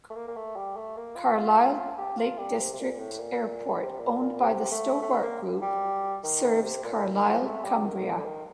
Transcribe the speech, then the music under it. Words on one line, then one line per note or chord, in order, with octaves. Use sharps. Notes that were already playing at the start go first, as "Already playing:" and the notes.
Carlisle Lake District Airport, owned by the Stobart Group, serves Carlisle, Cumbria.
A3
A#3
A#3
A3
G3
A3
A#3
F4
F4
G4
F4
G3
C3
C3
A#2
A2
A#2
C3
A#2
A#2
C3
A3
A3
A#3
G3
D#3
D#3
C3
A#2
A2
A#2
D#3
F3
A3
G3
D#3
A#2
D3
D#3